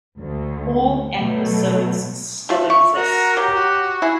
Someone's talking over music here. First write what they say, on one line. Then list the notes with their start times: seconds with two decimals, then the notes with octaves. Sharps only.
All episodes still exist.
0.18 D2
1.16 B2 F#3 A3
2.49 A3 F4 E5
2.70 C#6
2.95 F#4 A#4
3.37 F#3 G4
3.54 F#4
4.02 E4 G#4